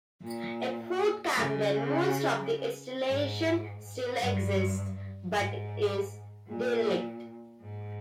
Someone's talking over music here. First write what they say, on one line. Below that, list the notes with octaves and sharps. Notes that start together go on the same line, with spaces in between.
At Fort Camden most of the installation still exists but is derelict.
A#2
C#3
G#2
G2
G#2
A#2
G#2